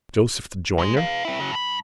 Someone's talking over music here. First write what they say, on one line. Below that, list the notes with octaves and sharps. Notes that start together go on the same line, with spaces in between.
Joseph the Joiner?
G#3
B4 F5
C4 E4
C#3 F#3
G2 B5